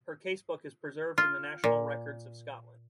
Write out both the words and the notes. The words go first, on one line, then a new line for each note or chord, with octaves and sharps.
Her casebook is preserved in the National Records of Scotland.
F4
A#2